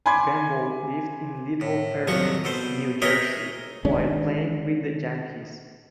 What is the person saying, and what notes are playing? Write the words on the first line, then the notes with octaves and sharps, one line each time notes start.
Gamble lived in Little Ferry, New Jersey while playing with the Yankees.
G#5 B5 C6 D6 G#6
A2
C2 F2 D#3 F3 F#3 C#6
B2 A4 C5
G#4 A#4 C#5 D#5 E5 G5
D#3 G#3 C#4 D4